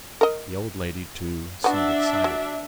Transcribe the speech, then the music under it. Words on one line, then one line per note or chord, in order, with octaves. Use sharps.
The old lady, too, seemed excited.
A#4 D#5
B3 D4 F#4 E5
F#3